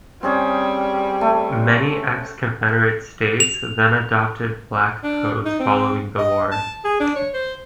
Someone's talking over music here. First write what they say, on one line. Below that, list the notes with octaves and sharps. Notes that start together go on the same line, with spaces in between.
Many ex-Confederate states then adopted Black Codes following the war.
G3 C4 C#4 G#4
A3
F7
D4
D#4
C4
D#5
A5
G#4
D4
C#5
C5